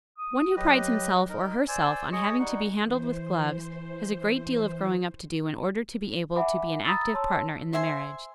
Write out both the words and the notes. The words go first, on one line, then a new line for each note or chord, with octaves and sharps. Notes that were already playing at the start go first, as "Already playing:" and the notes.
One who prides himself or herself on having to be handled with gloves has a great deal of growing up to do in order to be able to be an active partner in the marriage.
D#6
F#3 G4 B4 D#5
D#4 A#4
C5 D5 G#5 E6
G#4 C#5 D#5 C#6
G3 D#4 F#5
E3 C5
E5 F#5 G#5 B5 D6
A#5 B5 D#6 E6 A6
C#5 A5 C6 E6
C5 E5 G#5 C6